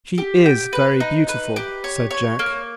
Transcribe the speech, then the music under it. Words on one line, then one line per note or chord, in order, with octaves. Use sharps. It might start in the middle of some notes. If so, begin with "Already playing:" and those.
"She is very beautiful," said Jack.
G4
G5
B4
D#4
B4
G4
C#5
C#5
A#3